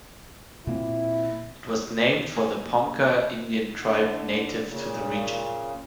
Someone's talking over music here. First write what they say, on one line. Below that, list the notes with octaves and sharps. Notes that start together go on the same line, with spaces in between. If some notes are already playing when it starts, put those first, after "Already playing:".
It was named for the Ponca Indian tribe native to the region.
A#2 A#3 C4 E4
A#3 G#5
D3
A#2 C#3